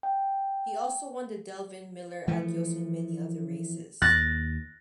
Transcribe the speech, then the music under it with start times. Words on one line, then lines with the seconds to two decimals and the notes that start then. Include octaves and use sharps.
He also won the Delvin Miller Adios and many other races.
0.03 G5
2.28 E3 F3 A3
4.02 D#2 F#6 A6 A#6